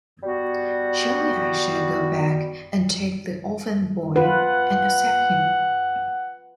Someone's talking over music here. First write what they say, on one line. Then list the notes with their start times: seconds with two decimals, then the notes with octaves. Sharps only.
Surely I shall go back and take the orphan boy and accept him.
0.23 G3 B3 F#4
4.16 F4 B4 F#5